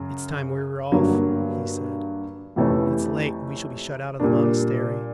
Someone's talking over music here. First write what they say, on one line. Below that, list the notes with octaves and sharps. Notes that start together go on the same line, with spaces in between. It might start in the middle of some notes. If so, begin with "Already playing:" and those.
"It's time we were off," he said, "it's late, we shall be shut out of the monastery."
Already playing: F#2 C#3
G2 D3 F#3 A#3
F2 C3 E3 A3 C#4
A#2 G3 A#3 D4